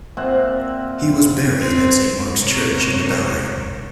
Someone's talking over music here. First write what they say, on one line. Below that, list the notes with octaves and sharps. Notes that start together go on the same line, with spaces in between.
He was buried at Saint Mark's Church in-the-Bowery.
A#2 C4 E5 F#5
C4
G#2 C3 A3 A#4 C5 C#5